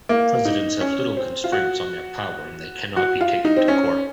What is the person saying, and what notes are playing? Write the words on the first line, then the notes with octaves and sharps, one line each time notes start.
Presidents have little constraints on their power and they cannot be taken to court.
A#3
D#4
C#4
C4
F4
F#4
F#4
F4
D#4
C4
C#4